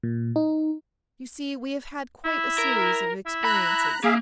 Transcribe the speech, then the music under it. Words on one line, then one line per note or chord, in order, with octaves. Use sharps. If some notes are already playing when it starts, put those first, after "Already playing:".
"You see we have had quite a series of experiences."
A#2
D#4
E4
A#4
E4
A#5 B5 F#6
A#3 G#4 E5 F5